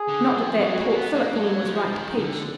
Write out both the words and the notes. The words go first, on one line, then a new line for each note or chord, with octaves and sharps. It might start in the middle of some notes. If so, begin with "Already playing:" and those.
Not that that Port Phillip woman was right to peach.
Already playing: G#4
D3
F3
F#3 F#4
A#3
A#3
B3
A#3
G#3
F#3
F3
D#3
D3